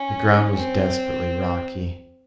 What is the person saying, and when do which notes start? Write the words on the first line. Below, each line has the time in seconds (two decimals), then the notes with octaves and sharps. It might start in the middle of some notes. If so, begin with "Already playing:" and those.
The ground was desperately rocky.
Already playing: C#4
0.55 C4